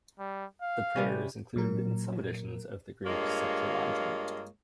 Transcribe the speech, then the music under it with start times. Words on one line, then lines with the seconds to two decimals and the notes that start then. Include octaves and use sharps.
The prayer is included in some editions of the Greek Septuagint.
0.19 G3
0.62 F5
0.96 C3 G3 C#4
1.56 A#2 F#3 A#4
3.06 G2 G#3 A#3 F4 C#5